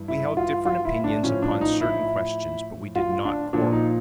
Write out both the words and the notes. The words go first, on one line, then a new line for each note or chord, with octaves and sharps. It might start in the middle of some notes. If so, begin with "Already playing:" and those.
"We held different opinions upon certain questions, but we did not quarrel."
Already playing: G2 E3
E4
F4
F4
E4
D4
A2 F3 C#4
D4
D#4
E4
F4
D4
A#2 F3 D4
D#4